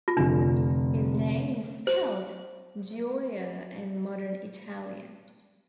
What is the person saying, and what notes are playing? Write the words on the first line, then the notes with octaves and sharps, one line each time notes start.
His name is spelled Gioia in modern Italian.
F4
F1 F2 D3 F3 D4
C5